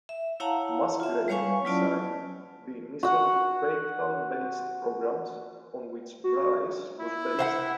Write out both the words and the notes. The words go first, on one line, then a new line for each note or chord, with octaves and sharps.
Musgrave designed the initial fractal-based programs on which Bryce was based.
E5
E4 C#5 F5 F#5 A5 A#5
F4 E5
G3 B4 C#5 F5 G#5 C#6
F#3 C#4 E4 F4 D5 A5
F#4 F#5
F#4
E4
C5 F5 F#5